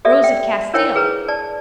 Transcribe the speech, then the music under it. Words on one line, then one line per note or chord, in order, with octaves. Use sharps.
Rose of Castile.
G4 A4 D5 E5
G5
D4 E4 A#4 C5 C#5 G5
G#4 B4 A#5
D5 A5